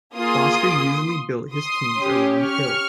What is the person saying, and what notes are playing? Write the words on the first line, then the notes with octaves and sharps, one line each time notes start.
Foster usually built his teams around Hill.
A#3 F4 G#4 C6 D#6
C6 D#6
C#4 G4
C#6 F6